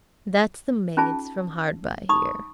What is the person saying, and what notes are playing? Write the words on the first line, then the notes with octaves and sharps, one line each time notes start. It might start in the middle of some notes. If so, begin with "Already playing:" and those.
"That's the maids from hard by here."
C#4 D#4 F4 G#4 A5
D#4 B5 C#6 D#6